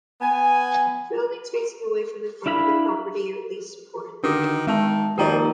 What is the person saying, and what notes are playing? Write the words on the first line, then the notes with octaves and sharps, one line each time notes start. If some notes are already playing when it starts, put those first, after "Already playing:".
Buildings facing away from the front of the property are the least important.
B3 G#5
D4 E4 F5 B5
D3 D#3 F#4 G4
D#3 G#3 A5 E6
D#2 D#3 F3 G4 D5 G5 A#5